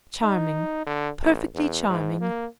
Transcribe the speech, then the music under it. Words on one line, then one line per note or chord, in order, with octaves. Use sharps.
Charming; perfectly charming.
D#4
D3
A1
E2
G#2
A#3